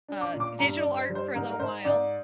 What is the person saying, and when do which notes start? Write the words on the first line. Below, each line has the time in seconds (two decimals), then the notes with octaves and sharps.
uh, digital art for a little while.
0.08 D4
0.21 D6
0.34 A#2
0.40 D6
0.59 G2 A#5
0.78 D5
0.84 G2
0.97 C5
1.09 G3
1.15 C5
1.35 G#2 A#4
1.51 A#4
1.60 G#2 C5
1.85 G#2 D5